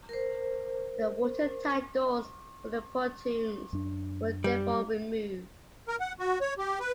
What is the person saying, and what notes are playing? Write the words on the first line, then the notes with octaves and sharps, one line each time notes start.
The watertight doors for the pontoons were therefore removed.
A#4 C5
F#2 D4
G3
A#4
F#5
F#4
C#5
G4
B4